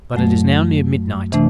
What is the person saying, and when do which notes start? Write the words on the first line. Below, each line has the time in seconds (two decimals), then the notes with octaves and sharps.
But it is now near midnight.
0.14 F#2 F#3 A3
1.32 C3 E3 A3 D4